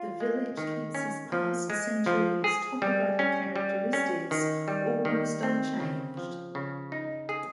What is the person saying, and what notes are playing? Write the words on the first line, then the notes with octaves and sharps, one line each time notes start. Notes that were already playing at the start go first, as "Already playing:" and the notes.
The village keeps his past centuries’ topographic characteristics almost unchanged.
Already playing: F4
G#3
D#3
C#4
F3
G#3
F3
G#4
G3
C#4
G3
C#4
D#3
G3
D#3
C4
C#3
F3
C#3
D#4
G#4